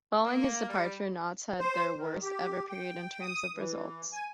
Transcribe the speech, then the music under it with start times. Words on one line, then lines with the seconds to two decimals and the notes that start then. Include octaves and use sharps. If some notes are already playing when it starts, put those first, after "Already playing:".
Following his departure, Notts had their worst-ever period in terms of results.
0.24 A#3
0.68 G3
1.59 C5
1.97 D#3
2.23 G4
2.69 G5
3.21 D#6
3.56 E3
4.13 G#5